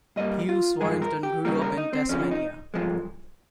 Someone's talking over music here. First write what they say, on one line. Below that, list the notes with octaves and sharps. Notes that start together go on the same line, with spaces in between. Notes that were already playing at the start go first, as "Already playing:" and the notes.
Hughes-Warrington grew up in Tasmania.
G2 G3 A#3 D#5
F4
G2 F3 G#3 G#4
A#4
G4
D#2 C#3 G3 A#3 A#4
A#4
D#4
C4
F2 C#3 F3 C#4
D#4
G2 F3 G#3